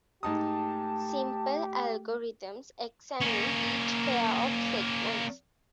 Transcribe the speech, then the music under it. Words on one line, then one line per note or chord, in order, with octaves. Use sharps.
Simple algorithms examine each pair of segments.
G#2 A3 D#4 G4 A#4 A5 D#6
A#3 C#4